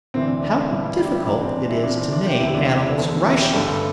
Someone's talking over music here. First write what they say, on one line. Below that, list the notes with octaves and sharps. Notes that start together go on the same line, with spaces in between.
How difficult it is to name animals rationally!
D2 C3 E3 C4
D4
C4
D4
D4
G1 G2 E3 G3 E4
G4
D4
E4
C2 C3 E3 G3 D4
C4
E4
C2 C3 E3 A3 D4
C4
D4
G4
E1 D2 D3 E4
D4
D4
E4
E1 E2 D3 A3 A4
E4
G4
G1 G2 D3 G3 A4